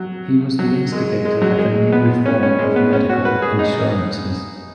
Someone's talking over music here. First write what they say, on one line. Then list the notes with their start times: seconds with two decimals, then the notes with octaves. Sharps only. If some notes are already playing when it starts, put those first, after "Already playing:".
He was the instigator of a new reform of medical insurances.
Already playing: F#3
0.59 F#3
0.92 G#3
1.25 G#3
1.42 F#3
1.59 G#3
1.92 B3
2.26 C#4
2.43 C#4
2.59 G#3
2.76 B3
2.93 C#4
3.09 F#4
3.25 B4
3.42 G#4
3.59 D#4